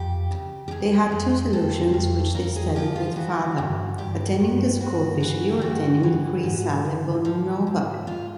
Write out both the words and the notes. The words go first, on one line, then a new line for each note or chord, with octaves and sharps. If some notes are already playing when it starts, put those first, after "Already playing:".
They had two solutions which they studied with father: attending the School officially or attending the free Salle Bonanova.
Already playing: F2 G4
C#3
G4
F2 G#4
F2
F2 A4
F2
F2 A#4
G#4
F3 G4
F4
E3 F#4
G2
G2 G4
G2
G2 F#4
E3
G2 F#4
E3
G#2
G#2
F3
G#2
G#2 F4